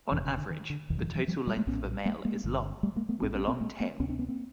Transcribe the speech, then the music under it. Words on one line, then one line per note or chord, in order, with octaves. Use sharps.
On average, the total length of a male is long, with a long tail.
F1 E2 C3 E3
D3
D3
D#3
D3
F#1 E2 B2 D#3
D#3 F3
E3 F#3
F3 G3
G3 A3
G#3 A#3
A#1 A2 B3 C#4
G#3 A#3
G#3 A#3
G1 G2 D3
G3 A3
G#3 A#3
A3 B3
A#1 A2 C4 D4
B3 C#4
A#3 C4
G#3 A#3
A3 B3
D2 C3 B3 C#4
C4 D4
B3 C#4
A#3 C4